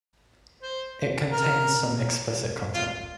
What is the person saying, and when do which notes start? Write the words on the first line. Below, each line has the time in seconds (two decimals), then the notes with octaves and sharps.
It contains some explicit content.
0.62 C5
1.32 A#4
2.74 F4